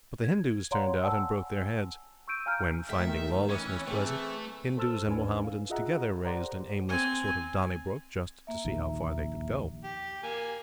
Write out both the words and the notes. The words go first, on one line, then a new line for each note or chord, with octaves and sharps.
But the Hindus turned out and broke their heads; when, finding lawlessness pleasant, Hindus and Mahomedans together raised an aimless sort of Donnybrook just to see how far they could go.
G#6
C#5 D5 F5 F#5 A#5 C6
F#5 G#5 A5 E6
C#6 E6 G6 D7 D#7
F5 G#5 A#5 F6 G6
D#3 A3 G4 E5
E3 C#4
A3 C4 G#4
A4 C5 A5 E6 F6 A6
D#2 C#4 D4 B4 G#5
F5
F4 G#4 D#5 E5 F#5 A#5
G4 A4 C5 D5 F#5 A#5
C4 G#5
A#3 E5
A#1 D#2
G4
A#3 G#5